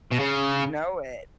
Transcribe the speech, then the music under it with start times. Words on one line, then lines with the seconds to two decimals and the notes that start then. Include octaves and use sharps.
You know it.
0.11 B2
0.19 C#3